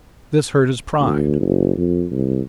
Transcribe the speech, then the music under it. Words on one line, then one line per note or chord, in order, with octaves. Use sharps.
This hurt his pride.
D2
F#1
F2
C2